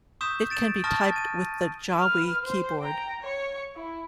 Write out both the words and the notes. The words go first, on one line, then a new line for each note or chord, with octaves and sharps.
It can be typed with the Jawi keyboard.
C#6 D#6 E6 G6 B6 E7
A6 D7 E7
A5 C#6 D#6 F6 A6 A#6
G#6 D#7
B4 F6
C5
G5 A#5
C#5 C#6
E4